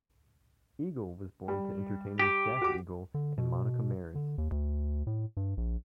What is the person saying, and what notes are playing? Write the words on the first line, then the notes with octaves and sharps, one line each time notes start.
Eagle was born to entertainers Jack Eagle and Monica Maris.
G3
G4
F#4 D6
D3
B2
D3
D#2
D2
A2
G2
A#1